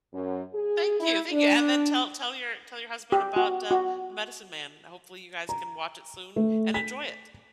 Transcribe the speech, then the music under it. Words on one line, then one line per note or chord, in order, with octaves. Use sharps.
Thank you, thank you. And then tell tell your tell your husband about, uh, The Medicine Man. Hopefully, you guys can watch it soon and enjoy it.
F#2
G#4
E4
D4
G4
F#4
F#4
A#5
A3
B6